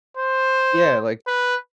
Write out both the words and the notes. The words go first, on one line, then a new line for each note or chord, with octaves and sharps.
Yeah, like
C5
B4